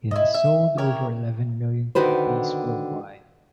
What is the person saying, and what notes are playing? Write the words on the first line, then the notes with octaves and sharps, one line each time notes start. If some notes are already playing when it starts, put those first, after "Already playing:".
It has sold over eleven million copies worldwide.
E4 D#5
E5
E4 G4 A#4 C#5
D3 D#3 F#4 B4 C5